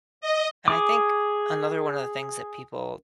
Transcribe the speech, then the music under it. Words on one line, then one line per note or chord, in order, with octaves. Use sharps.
And I think another one of the things that people
D#5
G#4 D6